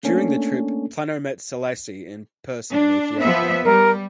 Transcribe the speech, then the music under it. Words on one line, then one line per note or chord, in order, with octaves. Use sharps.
During the trip, Planno met Selassie in person in Ethiopia.
A3 A#3 C#4 D4 A4
D4
F3 B3 E5
G3 A#4